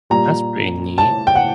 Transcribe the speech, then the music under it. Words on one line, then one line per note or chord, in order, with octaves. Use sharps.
That's pretty neat
A#2 G3 A#5
A5
G5
F#5